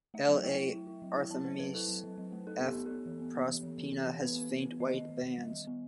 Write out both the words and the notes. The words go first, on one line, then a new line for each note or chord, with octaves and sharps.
"L. a. arthemis" f. "proserpina" has faint white bands.
A3 E5
F#3
E4 G5
E4
E4
E4
F#3
E4
F#3 A5
F#3 C5
F#3 B4
E4 A4
F#3
F#3
F#3
A3
D#4 A4
B3
G4
B3
B3 A4
E3
B3
B3
E3
E3
E3
E3
E3
B3 B4
B3
B3
B3
D#3 D#5
D#3
D#3
D#3
G3
D#3
B3